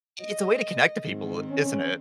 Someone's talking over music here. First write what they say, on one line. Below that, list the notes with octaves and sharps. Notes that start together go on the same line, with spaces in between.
i it's a way to connect to people, isn't it?
D#5
G#2 D#3 C4
C#4